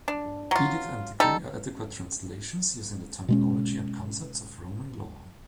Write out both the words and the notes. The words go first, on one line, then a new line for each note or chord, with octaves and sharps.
"Edict" and "decree" are adequate translations using the terminology and concepts of Roman law.
D4
F#3 F4
G3 D#4 A4
B2 G#3 C#4